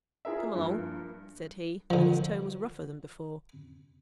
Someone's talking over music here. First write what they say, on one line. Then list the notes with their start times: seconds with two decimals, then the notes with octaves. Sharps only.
'Come along,' said he, and his tone was rougher than before.
0.25 F4 G#4 A#4 E5
0.55 G2 F3 A#3
1.90 D3 F3